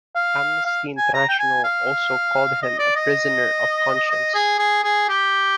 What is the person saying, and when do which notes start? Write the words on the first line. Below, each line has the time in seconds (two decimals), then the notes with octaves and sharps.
Amnesty International also called him a prisoner of conscience.
0.15 F5
0.65 F5
0.98 G#5
1.14 A#5
1.29 G5
1.39 G#5
1.64 F5
2.62 D#5
2.79 D5
2.96 D#5
4.10 D#5
4.35 G#4
4.59 G#4
4.84 G#4
5.09 G4